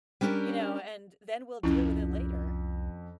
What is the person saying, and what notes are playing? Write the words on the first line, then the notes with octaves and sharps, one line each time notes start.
you know, and then we'll deal with it later.
G3 C#4 D4 G4 A#4
C2 F2 C#4 E4